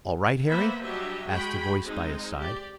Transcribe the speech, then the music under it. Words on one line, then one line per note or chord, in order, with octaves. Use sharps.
"All right, Harry?" asked a voice by his side.
A#3 B3 B4 C5 E5 B5
F#3 G3 D4 G4 D#5 E5
G#3 F#4 G#4 G5 B5
G#3 C4 D#4
G4 D5